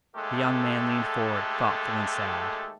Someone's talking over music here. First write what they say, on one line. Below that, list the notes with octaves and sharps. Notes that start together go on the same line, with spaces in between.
The young man leaned forward, thoughtful and sad.
D#2 G#3 A3 G4 A4